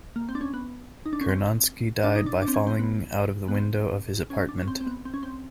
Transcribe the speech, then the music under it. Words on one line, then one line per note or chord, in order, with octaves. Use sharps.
Curnonsky died by falling out of the window of his apartment.
A#3
C4
D4
C#4
B3
D#4
D4
C#4
C4
D4
D#4
D4
D4
C4
C#4
C4
B3
B3
C4
C#4
D4
C#4
C4
C4
B3
C4
C#4
C4